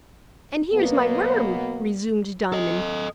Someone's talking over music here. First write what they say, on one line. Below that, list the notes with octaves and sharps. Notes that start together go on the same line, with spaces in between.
"And here's my worm," resumed Diamond.
B2 F#3 A#3 B3
A4 D#5